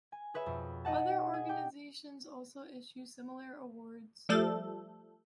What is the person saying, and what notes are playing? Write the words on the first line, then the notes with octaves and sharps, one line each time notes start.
Other organisations also issue similar awards.
G#5
G#4 B4 C#5 E5
F2 B2
D#4 D#5 F#5 A5
G#4
G4 G5
F3 G3 A3 A4